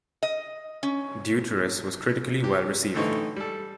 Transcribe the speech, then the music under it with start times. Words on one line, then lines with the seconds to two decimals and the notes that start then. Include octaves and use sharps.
"Deuteros" was critically well received.
0.23 D#5
0.83 C#4
2.44 G4
2.94 A2 D3 E3 D#4 C5 C#6
3.36 G3 A4